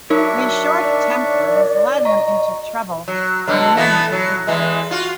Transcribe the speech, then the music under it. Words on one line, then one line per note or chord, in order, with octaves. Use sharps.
His short temper has led him into trouble on many occasions.
F#3 D4 D#4 A#4 C#5 E5 C#6
D#3 D5
D#5 A#5 C#6
F#3
B2 D3 F#3
E3 A3 B3
F#3
E2 E3 G#3
F4 F#4